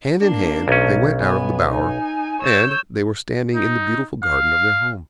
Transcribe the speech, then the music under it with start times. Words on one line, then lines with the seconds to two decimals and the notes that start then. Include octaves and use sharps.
Hand in hand they went out of the bower, and they were standing in the beautiful garden of their home.
0.21 A#3 D4
0.68 B1 C#4
1.19 B3 G#5
1.69 D#4 G#5
2.42 C#5 E6 G6
3.55 D#4
4.23 F5